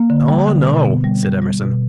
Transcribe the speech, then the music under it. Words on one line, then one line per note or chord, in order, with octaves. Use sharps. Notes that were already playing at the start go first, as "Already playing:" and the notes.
"Oh no," said Emerson.
Already playing: A#3
D3
G3
D3
B2
B3
G3
G3
G3
B2